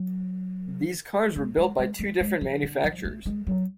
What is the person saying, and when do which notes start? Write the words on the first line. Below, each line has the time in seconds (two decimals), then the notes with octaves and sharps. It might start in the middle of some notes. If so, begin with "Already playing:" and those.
These cars were built by two different manufacturers.
Already playing: F#3
1.36 G#3
1.57 G#3
1.78 G#3
1.99 G#3
2.20 G#3
2.41 F3
2.63 D3
2.84 F3
3.05 A3
3.26 G#3
3.47 F#3